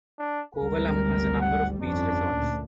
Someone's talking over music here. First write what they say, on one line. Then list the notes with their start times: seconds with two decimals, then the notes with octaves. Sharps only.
Kovalam has a number of Beach Resorts.
0.19 D4
0.56 G#1 D2 G3 A#4
1.41 F#5
1.83 G1 F2 C#4 D4
2.34 D2 A#2